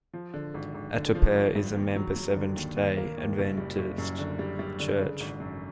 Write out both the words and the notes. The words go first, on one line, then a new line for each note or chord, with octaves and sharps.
Atopare is a member Seventh-day Adventist Church.
F3
D3
G#1
G#1
D3
F3
G#1
G2
D#2
F#3
F#3
D3
D#2
D#2
A#3
D#2
F#1
G3
F#1
F#2
D3
G3
G3
D3
C#3
G#1
F#2